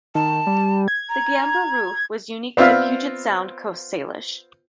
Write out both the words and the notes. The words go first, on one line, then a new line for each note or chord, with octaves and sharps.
The gambrel roof was unique to Puget Sound Coast Salish.
D#3 A5
G3
G#6
A#5
B3 C4 F4 D5 E5 F5